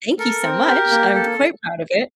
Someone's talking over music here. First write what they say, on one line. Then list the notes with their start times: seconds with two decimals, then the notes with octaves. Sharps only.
thank you so much, I'm quite proud of it.
0.19 A4 A#4
0.43 C4
0.67 G4
0.91 A#3
1.14 A4